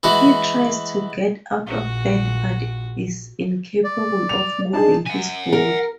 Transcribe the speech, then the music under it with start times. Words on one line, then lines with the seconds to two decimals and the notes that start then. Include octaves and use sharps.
He tries to get out of bed but is incapable of moving his body.
0.03 E3 G#3 F#4
1.67 A#1 F#4
3.84 D5
4.29 F7
4.73 D4 D#4 G#4 A5
5.06 F#5 G#5
5.53 A#4